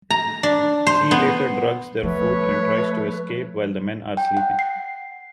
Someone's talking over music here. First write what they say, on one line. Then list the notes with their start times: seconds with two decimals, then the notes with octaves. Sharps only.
She later drugs their food and tries to escape while the men are sleeping.
0.10 A#5
0.43 D4
0.87 C5
1.11 B3
2.03 F3 A3 B4 C#5
4.17 G5
4.37 F#5
4.59 C7